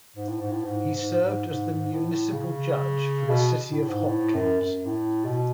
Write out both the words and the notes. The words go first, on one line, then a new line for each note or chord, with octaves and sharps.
He served as the municipal judge for the city of Hopkins.
G#2
A2
G#2
A2
G#2
G#2
G#2
G#2
G#2
A2
A2
C#3
B2
A2
G#2
A2
F#2
F#2
A2
B2